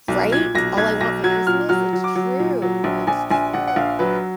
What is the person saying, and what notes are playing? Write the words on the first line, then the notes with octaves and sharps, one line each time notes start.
Right, all I want for Christmas it's true it's true, wel I
B1
A#2 G#6
B1 A#6
B1 G#6
B1 A#6
F#3 G#6
A#2 F6
F#3 F6
F#3
D6
F#3
A#2
F#3
A#1
A#1 G#5
A#1 G#5
A#1 F#5
F#5
A#1 F5
F#3 B4